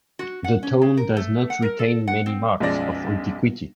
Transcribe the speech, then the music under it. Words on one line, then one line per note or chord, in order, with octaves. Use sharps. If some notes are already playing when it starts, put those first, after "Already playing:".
The town does not retain many marks of antiquity.
F#4
F#5
C#4
C#3
A#4
A3
F#5
A#4
A4
F#5
C4
B1 F#2 F3 G#3 D5 A#6